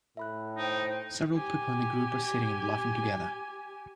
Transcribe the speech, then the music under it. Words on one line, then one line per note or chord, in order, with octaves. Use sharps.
Several people in a group are sitting and laughing together.
A2 E5 B5 F#6
D#4 C5 G5
G4 G#5